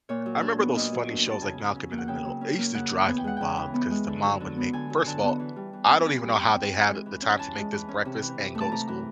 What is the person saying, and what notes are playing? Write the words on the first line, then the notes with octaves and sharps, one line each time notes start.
I remember those funny shows like Malcolm in the Middle, it used to drive me wild because the mom would make first of all, I don't even know how they had the time to make this breakfast and go to school
A#2 C#5
F#3
D4
B3
A#2 D#5
F#3
D4
B3
A5
C#3 G#5
F#3
C#4
A#3
F#5
C#3 G5
F#3
C#4
A#3
C#3 F#5
E3
B3 G#5
G5
G#3 F#5
C#3 G5
E3
B3
G#3
D3
F#3
D3
B3
D3 G#5
F#3
G#5
D3 A5
B3
E3
G3
E3
C4
E3 G#5
G3
E3 G5
C4
E3 G#5
G#3
E3
C#4
G#5
E3 A5
G#3
E3
C#4
C3
E3
C3
A3
A5
C3 A#5
E3